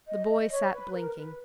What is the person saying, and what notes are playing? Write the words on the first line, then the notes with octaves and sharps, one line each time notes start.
The boy sat blinking.
D#5
D#5
D#5
C#5
B4
A#4
B4